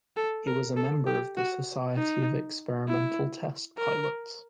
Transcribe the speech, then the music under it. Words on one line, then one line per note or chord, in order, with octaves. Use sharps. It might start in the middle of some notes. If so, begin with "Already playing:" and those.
He was a member of the Society of Experimental Test Pilots.
A4
A#4
A4
G4
F#4
D#4
E4
A#4